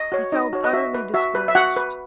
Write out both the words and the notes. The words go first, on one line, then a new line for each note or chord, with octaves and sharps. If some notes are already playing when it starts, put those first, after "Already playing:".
He felt utterly discouraged.
Already playing: D#5
F#4 C#5
D#4 D#5
F#4 C#5
D#5
F#4 E5
B4
F#4 E5
B4
E5
F#4 F#5
B4